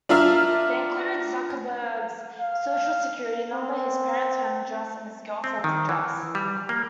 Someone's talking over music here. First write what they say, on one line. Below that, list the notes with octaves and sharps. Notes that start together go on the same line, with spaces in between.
They included Zuckerberg's Social Security number, his parents' home address, and his girlfriend's address.
D4 F4 A#4 E5 F6
F5
C4
C4
D#3
E3
G3
A#3